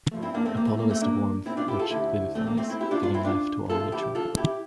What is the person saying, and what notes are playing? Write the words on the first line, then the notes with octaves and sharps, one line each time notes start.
Apollo is the warmth which vivifies, giving life to all Nature.
G2 F3 A3
C4 E4
A#3 D4
A3 C4
A#3
A3
A#3
A3 C4
A#3 D4
C4 E4
D4 F4
E4 G4
F4 A4
D2 D3 A3 E4 G4
A3 C4
A#3
A3 C4
C4 E4
E4 G4
D4 F4
D4 F4
C4 E4
D4 F4
F2 D3 A3 F4 A4
E4 G4
F4 A4
E4 G4